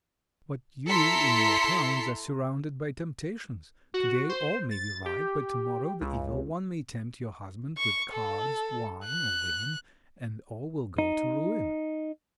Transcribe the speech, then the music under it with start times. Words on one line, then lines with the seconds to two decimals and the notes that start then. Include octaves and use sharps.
But you, in your towns, are surrounded by temptations; today all may be right, but tomorrow the Evil One may tempt your husband with cards, wine, or women, and all will go to ruin.
0.88 E4 A4 A#5 C6 B6 C#7
3.94 F#4
4.29 C5
4.71 A6
5.06 G4
6.01 C#2
7.78 C#6
8.13 A4
9.06 F#6
10.98 D#4